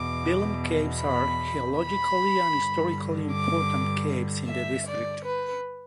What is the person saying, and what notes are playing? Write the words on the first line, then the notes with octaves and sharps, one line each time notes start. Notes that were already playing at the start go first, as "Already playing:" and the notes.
Belum Caves are geologically and historically important caves in the district.
Already playing: E2 B2 D6
B5
B5
G2 D3
D6
E5
D5
B4